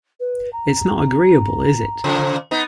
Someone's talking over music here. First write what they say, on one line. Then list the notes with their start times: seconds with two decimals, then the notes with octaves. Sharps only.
It's not agreeable, is it?
0.20 B4
0.53 A#5
2.04 A#2 C#3 F3
2.51 B3 D#4